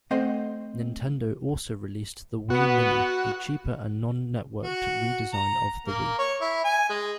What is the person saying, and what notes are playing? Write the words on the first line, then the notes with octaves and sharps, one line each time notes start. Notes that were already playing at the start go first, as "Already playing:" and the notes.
Nintendo also released the Wii Mini, a cheaper and non-networked redesign of the Wii.
A3 C4 C5 D#5 F#5
B3 F#4
F#4
A#5
A#3
C#5
E4
G#5
G#3